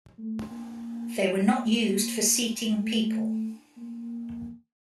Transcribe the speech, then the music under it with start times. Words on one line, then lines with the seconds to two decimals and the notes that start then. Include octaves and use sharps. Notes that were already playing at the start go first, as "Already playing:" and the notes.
They were not used for seating people.
0.18 A3
0.51 A#3
1.50 A#3
2.79 A3
3.77 A#3